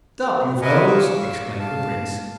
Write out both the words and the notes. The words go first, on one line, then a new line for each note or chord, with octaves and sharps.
"Stop, you fellows!" exclaimed the prince.
A#4 B4 D#5 F#5 G#5
F5 C#6 D6 E6
F5 A5